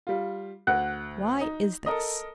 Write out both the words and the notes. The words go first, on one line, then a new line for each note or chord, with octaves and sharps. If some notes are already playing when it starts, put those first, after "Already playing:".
"Why is this?"
G3 F4
D2 F#5 F#6
D#4
A4 A#4 D#5